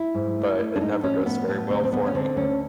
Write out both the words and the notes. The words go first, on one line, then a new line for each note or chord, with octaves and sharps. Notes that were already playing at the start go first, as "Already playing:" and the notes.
but it never goes very well for me.
Already playing: E4
G#2
A3
A3
D4
A2 D#4
F3 C#4
A2 B3
A2 B3
D2 C4
C4
D2 B3
C#4
D3 C4
D2 C#4